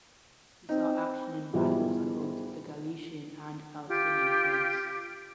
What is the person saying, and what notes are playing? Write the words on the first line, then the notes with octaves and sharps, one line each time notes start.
He saw action in battles on both the Galician and Palestinian Fronts.
C4 D#4
G#2 B2 E3 F3 G3
F4 G4